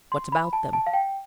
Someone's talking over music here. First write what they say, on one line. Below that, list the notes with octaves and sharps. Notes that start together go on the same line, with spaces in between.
"What about them?"
C6
B5
A5
A5
F5
G5